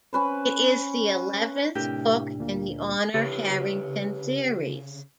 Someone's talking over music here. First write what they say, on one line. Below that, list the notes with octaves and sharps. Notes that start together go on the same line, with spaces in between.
It is the eleventh book in the Honor Harrington series.
C#4 B4 C5
A2 C3 D4 G4 A#4
D2 A#2 A#3
C#3 G4 B4 C#5